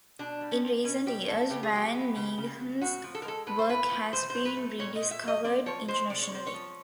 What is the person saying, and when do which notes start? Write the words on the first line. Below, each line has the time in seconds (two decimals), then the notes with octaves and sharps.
In recent years Van Mieghem's work has been rediscovered internationally.
0.19 B2 D4
0.41 G3
0.52 C#4
0.62 C4
0.84 B2 C#4
1.06 B2 G4
1.28 G3 A4
1.50 C#3 G4
1.63 G#4
1.73 F#3 G4
1.94 B3
2.16 C#3
2.38 C#3
2.60 F#3
2.81 A2 F#4
3.04 F3
3.15 A4
3.22 A#4
3.25 G#3 A4
3.47 A2 B4
3.59 C5
3.69 A2 B4
3.91 F3
4.13 A#2 C5
4.30 F#3 C5
4.45 B4
4.57 A3
4.79 A#2 C#5
4.96 A#2 D#5
5.11 E5
5.23 F#3 D#5
5.45 C4 D5
5.66 F3 C#5
5.88 G#3 C5
6.10 C3 D5
6.22 C#5
6.32 C4 C5
6.47 C#5
6.53 F3